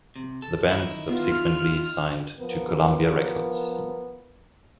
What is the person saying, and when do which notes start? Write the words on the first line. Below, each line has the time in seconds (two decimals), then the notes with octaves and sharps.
The band subsequently signed to Columbia Records.
0.16 C3
0.42 A4
0.67 D#3 D#4 E4
1.09 B3 F4
1.32 F6
2.40 F3 B3 A#4